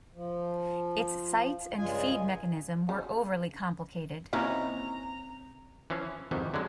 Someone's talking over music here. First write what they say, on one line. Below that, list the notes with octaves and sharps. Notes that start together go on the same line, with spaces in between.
Its sights and feed mechanism were overly complicated.
F3
G2 C#3 G#3 F4 G#4 G#5
C#3
C3 A#3 C#4 D#4 E4 B4 A#5
E3 F3 C#4 F5
F2 G#2 C3 D#3 E3
D3 F#3 G#3